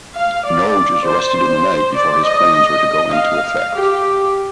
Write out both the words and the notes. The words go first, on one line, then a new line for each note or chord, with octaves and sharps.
Noge is arrested the night before his plans were to go into effect.
F5
D5
C5
D5
D#5
F5
G4